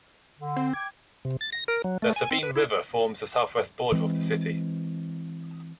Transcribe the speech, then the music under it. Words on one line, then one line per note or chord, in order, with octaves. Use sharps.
The Sabine River forms the southwest border of the city.
D3
C4
G5 D6 G#6
C3
A6
A#6
A#4
F#3
A3
G#5
C4
B4
E4
E3 G#3 C4